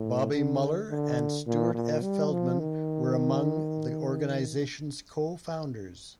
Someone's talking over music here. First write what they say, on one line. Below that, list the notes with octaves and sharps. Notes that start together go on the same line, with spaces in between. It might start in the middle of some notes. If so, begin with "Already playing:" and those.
Bobby Muller and Stuart F. Feldman were among the organization's co-founders.
Already playing: A2
D3
D3
A#2
A#2
G3
F3
D#3